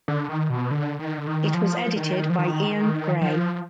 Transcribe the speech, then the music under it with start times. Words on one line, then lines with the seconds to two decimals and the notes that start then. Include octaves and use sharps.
It was edited by Ian Gray.
0.08 D3
0.29 D#3
0.50 B2
0.71 D3
0.99 D#3
1.18 D3
1.27 D#3
1.54 F3
1.96 D#3
2.30 F3
2.38 D#3
3.21 F3